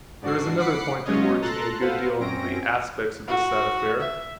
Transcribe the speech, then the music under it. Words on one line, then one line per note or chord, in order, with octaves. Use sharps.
There is another point that worries me a good deal in the aspects of this sad affair.
G#2 D4 F#4 C7
F#5 B5 D6 F#6 C7 C#7
F#3 G#3 C#4 F4 C#5 D#5
A4 A#5 C6 F#6 A6
F4 A4 B4 C5 F5 F#5
F#2 C4 C#4 A#6 D7
F#4
E5